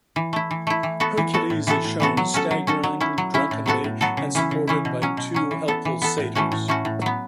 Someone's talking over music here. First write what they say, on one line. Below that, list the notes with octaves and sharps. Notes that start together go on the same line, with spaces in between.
Hercules is shown staggering drunkenly and supported by two helpful satyrs.
E3
A3 E4
E3
A3 E4
E3
B3 F#4 A4
E3
B3 F#4 A4
A2
E3 B3 F#4 A4
A2
E3 B3 F#4 A4
F#3
C#4 F#4 A4
F#3
C#4 F#4 A4
F#3
C#4 E4
F#3
C#4 E4
A2
F#3 B3 F#4 A4
A2
F#3 B3 F#4 A4
C#3
E3 C#4 E4
C#3
E3 C#4 E4
B2
F#3 C#4
B2
F#3 C#4
E3
B3 A4
E3
B3 A4
A2
E3 A3 C#4 F#4
A2
E3 A3 C#4 F#4
A2
F#3 B3